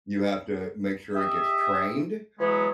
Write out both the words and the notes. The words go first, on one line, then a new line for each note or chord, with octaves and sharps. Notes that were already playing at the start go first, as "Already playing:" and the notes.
you have to make sure it gets trained,
G4 D#5 E5
E3 F#3 G#3 B3 C#5